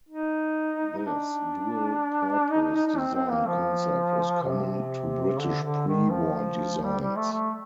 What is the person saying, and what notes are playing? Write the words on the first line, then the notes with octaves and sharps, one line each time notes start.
This dual-purpose design concept was common to British pre-war designs.
D#4
D#4
D4
D#4
D#4
D#4
D#4
C4
C4
A#3
F3
C3
D3
D3
D#3
F3
G3
G3
A3
A3